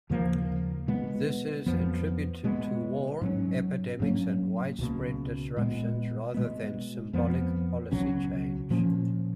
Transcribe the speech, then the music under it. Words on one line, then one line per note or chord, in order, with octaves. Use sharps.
This is attributed to war, epidemics and widespread disruptions rather than "symbolic policy change".
D#2 C#3 F3 A#3
B2 G#3 B3
F2 F3 B3
B2 G#3 B3
G#2 F#3 C#4
G#2 F#3 A#3 C#4
C#2 B2 A#3
A#2 G#3 B3
B2 G#3 B3
F2 F3 B3
C#2 B2 F#3 C#4
A#2 F3 A#3 C#4